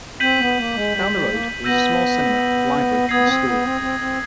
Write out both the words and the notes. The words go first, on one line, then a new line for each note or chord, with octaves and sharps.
Down the road there is a small cinema, library, and school.
C4 G6 B6 D#7 F#7
B3
A#3
G#3
G3
G3
A#3
B3 E6 G6 A#6 D#7 F#7
B3 D#6 G#6 C7
C4
B3
C4
C4
C4